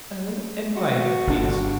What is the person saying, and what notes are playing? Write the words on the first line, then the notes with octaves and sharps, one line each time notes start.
"Oh, and why, if you please?"
F#4
G1 D4